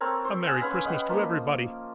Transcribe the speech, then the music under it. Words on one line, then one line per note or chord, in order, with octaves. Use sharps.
A merry Christmas to everybody!
C4 A4 A#4 C#5
C5
F#5 G#5 D#6 E6
C#4 B4 F5
B4 D#5 F#5 G5
F3 A#3 F4